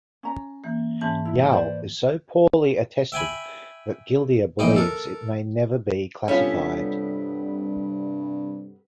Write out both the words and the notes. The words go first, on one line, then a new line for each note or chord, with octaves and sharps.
Yao is so poorly attested that Gildea believes it may never be classified.
C#4 A#5
E3 A#3
G#2 E3 C#4 A5
E4
B4 C5 D5
E5 G5 G#5 B5
A#1 E3 D#4 D#5 G5
A4 A#4
G2 C3 G3 B3 C#4 F4 G4 A4